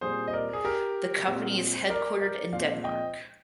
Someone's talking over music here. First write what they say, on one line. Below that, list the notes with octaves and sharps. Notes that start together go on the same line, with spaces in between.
The company is headquartered in Denmark.
A#2 G3 C4 G#4 C5
D#5
A#4 D5
G#4
G4 A#4
A#2 G#3 C4
A#4 D5
A#4 D5
A#2 F3 G#3 C4 D5 F5
D#5 G5